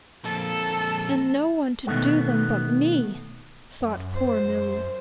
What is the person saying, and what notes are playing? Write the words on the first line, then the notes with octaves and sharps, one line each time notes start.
"And no one to do them but me," thought poor Milly.
F2 A#2 A4
B2 D#3 E3 F#3 A3 B3
F#2
C5
F#2